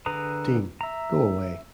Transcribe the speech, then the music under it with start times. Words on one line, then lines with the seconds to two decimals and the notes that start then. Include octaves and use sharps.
Dean, go away.
0.06 D3 G#4 B4 A#5 D#6
0.81 E5 A#5